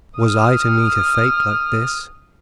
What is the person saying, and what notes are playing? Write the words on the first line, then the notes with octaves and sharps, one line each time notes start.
Was I to meet a fate like this?
D#6 F6